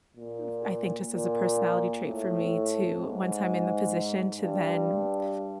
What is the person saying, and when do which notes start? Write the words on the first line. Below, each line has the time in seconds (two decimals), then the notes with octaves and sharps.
f I think, just as a personality trait for me to once I'm in the position to then m
0.17 A#2
1.10 A#2
2.04 A2
2.98 G#2
4.38 G2